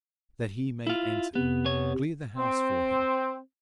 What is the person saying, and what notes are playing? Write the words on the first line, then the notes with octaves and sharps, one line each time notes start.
That he may enter, clear the house for him.
E4 F4
F2 C3 B3
B3 C#5
C4